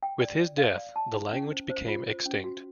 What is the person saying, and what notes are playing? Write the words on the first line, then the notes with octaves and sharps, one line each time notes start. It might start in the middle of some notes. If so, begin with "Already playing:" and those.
With his death, the language became extinct.
G5
D5
D5
F5
D5
A5
E4
C#4
C5
C5
F4
C5
C#4
F#4